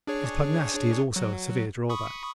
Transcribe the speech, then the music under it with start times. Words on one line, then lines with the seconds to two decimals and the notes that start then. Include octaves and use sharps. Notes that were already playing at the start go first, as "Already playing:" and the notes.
His pugnacity is also a severe drawback.
0.07 D4 G#4 C#5
1.16 F#3
1.89 B5 C#6 D#6